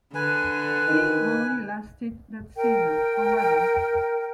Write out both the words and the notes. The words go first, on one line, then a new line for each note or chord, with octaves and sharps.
He only lasted that season, however.
D3 B4 G#5
D#3
A#4 G5